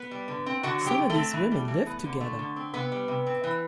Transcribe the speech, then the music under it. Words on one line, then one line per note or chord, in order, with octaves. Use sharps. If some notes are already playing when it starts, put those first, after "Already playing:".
Some of these women lived together.
Already playing: B3 B4
G3
D3
C4
D3 F#4 F#5
F#3
G4 G5
D3
A3 A4
C4
E3
G3
E3
B3
D3
A3
D3
C4
C3 B3 B4
G3
C3
C4
E3